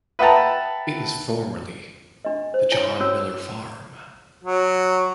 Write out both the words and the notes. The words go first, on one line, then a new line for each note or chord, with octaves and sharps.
It was formerly the John Miller Farm.
B4 E5 F#5 G5 A5 A#5
D4 D#5
C5
E4 C#5 G#5
C#4 F#4 C#5 E6
F#3